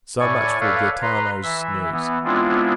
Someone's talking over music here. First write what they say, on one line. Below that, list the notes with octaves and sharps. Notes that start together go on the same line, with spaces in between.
So much for Gaetano's news.
A2 D5 G#5 C#6
A4 B4 C#5 D5 F5
B4 A#5 C6
E3 E5
E3 B3
G#3 B3 C4 D4 E4 F4